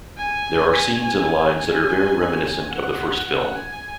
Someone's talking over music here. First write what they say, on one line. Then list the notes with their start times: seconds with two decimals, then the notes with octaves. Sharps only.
There are scenes and lines that are very reminiscent of the first film.
0.17 G#5
0.73 G#5
1.58 G#5
2.71 F#5
3.27 F#5
3.56 G#5